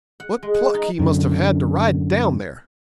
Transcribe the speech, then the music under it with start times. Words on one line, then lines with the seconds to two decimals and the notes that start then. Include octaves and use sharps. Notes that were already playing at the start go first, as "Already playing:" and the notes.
What pluck he must have had to ride down there!'
0.20 F#5
0.43 G#3
0.54 F#5
0.74 D#4
0.99 F#2 D3